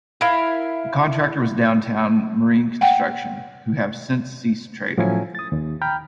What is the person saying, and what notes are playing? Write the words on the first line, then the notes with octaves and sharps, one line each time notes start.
The contractor was Downtown Marine Construction who have since ceased trading.
E4 A#4 E5 F5
F#5 G5
A2 F3 F#3 C#4 E4 G#5
D#6 A6
D#2
G5 A#5 B5 F6 G6